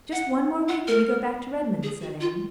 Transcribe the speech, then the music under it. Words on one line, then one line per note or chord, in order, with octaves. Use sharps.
"Just one more week and we go back to Redmond," said Anne.
F#5
F#5
A#4
G#4
F#4
F4